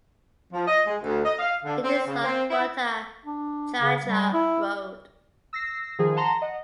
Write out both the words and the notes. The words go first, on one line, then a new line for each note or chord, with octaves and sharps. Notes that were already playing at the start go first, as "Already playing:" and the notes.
It is on Rohtak Jhajjar road.
F3
D#5
G#3
D2
D#5
F5
D3
C4
C#3
C4
E4
D4
C#3
G3
E4
E6 A#6 C7
D#3 F3 G#4
F#5 A5 A#5 C6 A#6
D#5 F#5